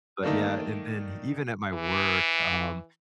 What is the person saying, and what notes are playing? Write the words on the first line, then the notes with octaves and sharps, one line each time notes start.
but yeah, and then even at my work, um,
D#3 A3 A#3 D4
E3